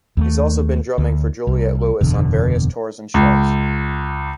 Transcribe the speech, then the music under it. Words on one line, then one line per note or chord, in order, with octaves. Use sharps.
He's also been drumming for Juliette Lewis on various tours and shows.
D#2 G3 A3
D2
C2
F#1 E2 B2 D3
C#2